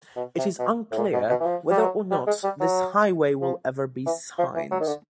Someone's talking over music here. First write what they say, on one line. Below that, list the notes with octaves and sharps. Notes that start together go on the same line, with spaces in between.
It is unclear whether or not this highway will ever be signed.
B2
C3
B2
A2
A#2
B2
B2
E3
F3
G3
F#3
G3
G#3
G3
F#3
F3
E3
F3
E3
F#3
D#3
D3